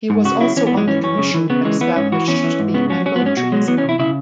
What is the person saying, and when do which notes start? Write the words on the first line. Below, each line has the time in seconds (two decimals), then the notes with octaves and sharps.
He was also on the commission that established the Angle Tree Stone.
0.10 G#2
0.25 C#3 F#4
0.40 F#3 E4
0.56 E3 C#4
0.67 B3
0.72 G#2
0.77 G#3
0.88 E3 C#4
1.03 F#2 C#4
1.18 C#3
1.34 E3
1.50 C#3 B3
1.65 E3 G#3
1.81 E3 B3
1.96 G#2 C#4
2.12 E3 F#4
2.28 E2 C#4
2.44 E3
2.59 G#2
2.74 C#3 B3
2.90 F#3 C#4
3.06 F#3 C#4
3.16 B3
3.21 G#2
3.26 C#4
3.37 B2 F#4
3.52 F#3 G#3
3.68 E3 B3
3.78 C#4
3.84 E2
3.89 E4
3.99 C#3 E4